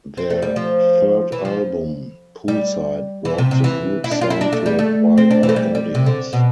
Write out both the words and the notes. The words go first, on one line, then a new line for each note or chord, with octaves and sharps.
Their third album, "Poolside", brought the group's sound to a wider audience.
C4
A3
G3
F3
E3
F3
G3
E3
C3
C3
E3
E4
D4
F4
E4
D4
A3
G3
A3
C4
D4
E3
A3
G3
G3
C3
D3
B2